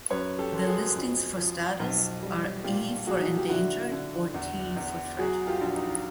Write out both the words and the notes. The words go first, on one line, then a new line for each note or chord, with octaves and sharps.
The listings for status are E for endangered or T for threatened.
F#2 B4 C#5
G4 A4
F#1
A4
F#4 G#4
F2
F3
B1
G3
A#2 F4 G4
F#3 F#4 G#4
G4
D3 E4 F#4
D3
E2
E2
F#3 F#4 G#4
F4 G4
A#1
D#4